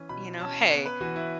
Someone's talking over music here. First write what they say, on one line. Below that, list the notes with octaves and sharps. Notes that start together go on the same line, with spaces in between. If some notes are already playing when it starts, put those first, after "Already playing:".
you know, "Hey,
Already playing: E3 C#4
B2 B5
C#4 A5
B3 C#5
B4
E3 F#4
E4